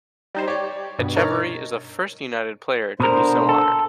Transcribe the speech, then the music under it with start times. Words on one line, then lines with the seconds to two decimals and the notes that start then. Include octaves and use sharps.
Etcheverry is the first United player to be so honored.
0.35 G3 D#4 C5
0.48 G4 C#5 D5
0.99 G2 B2
1.15 D#4 A#4 C#5 F6 A6 A#6
3.00 B2 D3 A#4 C5
3.49 A4